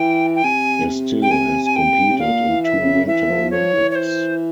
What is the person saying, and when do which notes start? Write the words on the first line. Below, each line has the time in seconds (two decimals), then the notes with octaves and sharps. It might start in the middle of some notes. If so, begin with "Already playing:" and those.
Estil has competed in two Winter Olympics.
Already playing: E3 G5
0.35 G5
0.44 C3 G#5
1.22 G5
1.31 G#5
1.65 G#5
1.76 G5
2.10 C3
2.19 A#2 F5
2.49 E3
2.64 E5
2.78 C#3
3.07 E3 E5
3.29 F3
3.51 F3 C#5
3.73 E3
3.91 C#5
3.95 C5